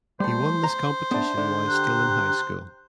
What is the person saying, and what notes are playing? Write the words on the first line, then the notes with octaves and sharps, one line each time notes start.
He won this competition while still in high school.
G3 A3 C5
A#5
B3 D4 E5
D3
G4 A#5 F#6